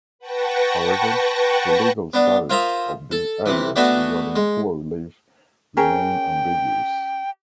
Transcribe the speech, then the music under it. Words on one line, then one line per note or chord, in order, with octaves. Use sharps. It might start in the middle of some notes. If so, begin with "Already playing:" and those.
However, the legal status of these areas regarding poor relief remained ambiguous.
B4 F#5 G5 A5 C#6 A#6
B3 D4
F4 A#4 C5 E5 A#5 D#6
A4
C3 E3
A3 B3 D4 F#4 E5 G#5
G#3
C#4 G#4 A#4 G5